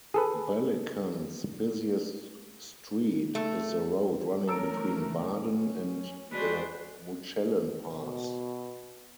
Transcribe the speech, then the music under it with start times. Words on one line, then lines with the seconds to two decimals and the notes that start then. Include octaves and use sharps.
Bellikon's busiest street is the road running between Baden and the Mutschellen pass.
0.14 G#4 A4 B4
3.35 A3
4.47 E3 A3 A4 A#4 C#5 A#5 E6 D7
5.48 C#4
6.32 G#3 D4 F#4 B4 C5
7.92 B2